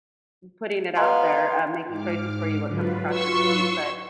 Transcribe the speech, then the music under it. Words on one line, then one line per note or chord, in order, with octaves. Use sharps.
putting it out there, um, making choices for you what comes across your feed. But,
B3 D#5 F5 A#5 C6
G#2 D6 F6
G#2 D3 F#3 F4 B4
C6 C#6 E6